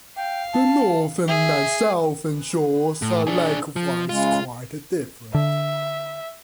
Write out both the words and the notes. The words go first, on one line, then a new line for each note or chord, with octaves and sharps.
The northern and southern shores are likewise quite different.
F5 G5
A5
G#4 E5
A2
D4 G#4
F3
C#3 G#3 F4
D3 E5